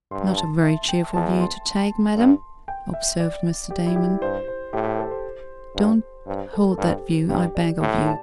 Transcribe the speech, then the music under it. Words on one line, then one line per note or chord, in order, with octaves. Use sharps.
Not a very cheerful view to take, madam," observed Mr. Damon. "Don't hold that view, I beg of you.
G2 C6
A5
E5
G5
E2 A5
C6
G2
G5
E5
D5
G4
E4
G4
G2 C5
C5
A2 G4
G4
A4
C5
G2
G2 C5
A4
A4
G2 G4
G2 G4
D5
A2
A5